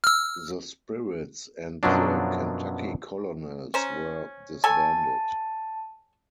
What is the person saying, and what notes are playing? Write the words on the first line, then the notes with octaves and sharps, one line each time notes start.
The Spirits and the Kentucky Colonels were disbanded.
E6 F6
F#2 B2 F3 F#3 D4
C#4 C5 A#5
A4 C#5 G#5 A5